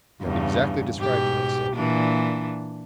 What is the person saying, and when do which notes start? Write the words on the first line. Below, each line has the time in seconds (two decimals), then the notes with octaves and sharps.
"You have exactly described her," I said.
0.22 E2 G2 C#3
0.97 G#2 B2 G4
1.74 A#2 E3 D4